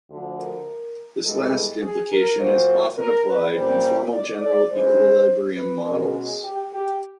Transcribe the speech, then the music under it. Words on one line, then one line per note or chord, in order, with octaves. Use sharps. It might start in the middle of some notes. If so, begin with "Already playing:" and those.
This last implication is often applied in formal general equilibrium models.
D2 D3 F3
A#4
G2 E3 G#3 B3 A4
G#4
A#4
A#2 F#3 A#3 C5
A#4
B4
A#2 G3 A#3 C#4 C5
D5
D5
A2 E3 G#3 C#4 C5
B4
B2 G#3 C#4 A#4
G#4
G4
G4